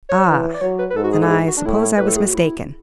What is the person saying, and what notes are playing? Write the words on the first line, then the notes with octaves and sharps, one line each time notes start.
"Ah, then, I suppose I was mistaken."
C#5
E3
D5
F#3 C#5
B4
B4
G#2 A4
F#4
G#4
A4
G#4
F#4
D4
A2 E4
A2 B4
A4
G#4
F#4
E4